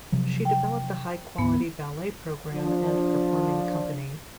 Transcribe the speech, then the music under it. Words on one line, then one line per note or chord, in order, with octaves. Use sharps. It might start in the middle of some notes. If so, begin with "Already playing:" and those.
She developed a high quality ballet program and performing company.
C3 F3 F#3
G5
D2 G#2 B3
F3 D4